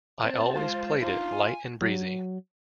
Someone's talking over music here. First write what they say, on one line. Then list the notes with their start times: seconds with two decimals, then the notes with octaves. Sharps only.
I always played it light and breezy.
0.24 C4 C5 A5
0.56 G#3 F4
1.02 D4 D#4 F4
1.32 G#5
1.81 F#3